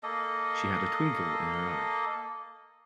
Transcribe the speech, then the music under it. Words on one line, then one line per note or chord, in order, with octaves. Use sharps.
She had a twinkle in her eye.
A#3 A4 D#5